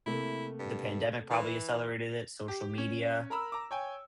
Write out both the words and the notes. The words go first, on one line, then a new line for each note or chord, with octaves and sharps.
the pandemic probably accelerated it, social media,
C3 A3 A#3 E4
G2
E3
G4
C#4
A#4 A#5 B5 E6
A#5 D6
C#5 G5 G#5